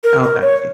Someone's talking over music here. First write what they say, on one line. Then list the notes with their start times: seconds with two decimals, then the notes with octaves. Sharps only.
Oh, got you.
0.04 A#4
0.23 A#4
0.42 C#5